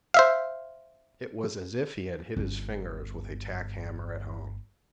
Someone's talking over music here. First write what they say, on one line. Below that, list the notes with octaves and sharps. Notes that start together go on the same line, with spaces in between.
It was as if he had hit his fingers with a tack hammer at home.
C5 E5 F5
G1 C#4